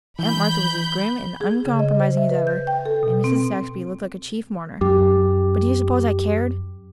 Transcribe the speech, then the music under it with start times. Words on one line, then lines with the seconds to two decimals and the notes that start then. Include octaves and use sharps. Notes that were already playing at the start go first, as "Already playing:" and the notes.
Aunt Martha was as grim and uncompromising as ever, and Mrs. Saxby looked like a chief mourner, but do you suppose I cared?
0.19 E3 B5 G6
1.41 G#4
1.66 C#3
1.79 D#5
2.00 C5
2.17 E5
2.29 B4
2.47 G6
2.67 G5
2.86 A4
3.03 B2
3.24 C4
4.81 F#2 G4